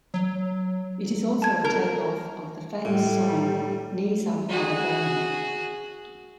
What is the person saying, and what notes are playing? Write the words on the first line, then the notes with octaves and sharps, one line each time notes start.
It is also a take off of the famous song "Knees Up Mother Brown".
F#3
A5 G#6
A#4
A2 G3
F#4 G#4